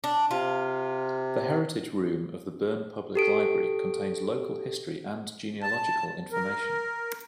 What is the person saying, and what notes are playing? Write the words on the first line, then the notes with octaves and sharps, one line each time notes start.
The Heritage Room of the Berne Public Library contains local history and genealogical information.
D4
C3 F4
G4 A4 D7
A5
A#4